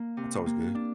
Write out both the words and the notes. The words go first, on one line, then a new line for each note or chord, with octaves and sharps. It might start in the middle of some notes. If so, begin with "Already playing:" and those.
That's always good.
Already playing: A#3
C3
A#3
D4